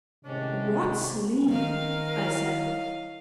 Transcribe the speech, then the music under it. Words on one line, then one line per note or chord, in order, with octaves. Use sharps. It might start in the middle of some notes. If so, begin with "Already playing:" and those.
"What sleep!" I said.
A2 C3 D#3 G#3 C#4 D4
D#3 C4 A#4 D#5 F5
E4 C#5